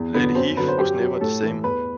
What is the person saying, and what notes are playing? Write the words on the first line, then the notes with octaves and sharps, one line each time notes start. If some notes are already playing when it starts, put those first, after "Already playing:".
Lady Heath was never the same.
Already playing: E2
D3 F#3 B3
F#2 C4
D3 F#3 B4
C5
F#2 G4
F#3
A2 A4
E3
E2 B4